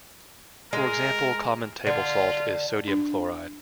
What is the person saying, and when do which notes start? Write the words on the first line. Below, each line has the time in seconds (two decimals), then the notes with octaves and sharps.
For example, common table salt is sodium chloride.
0.73 G#3 A#4
1.87 D3 F4
2.88 D4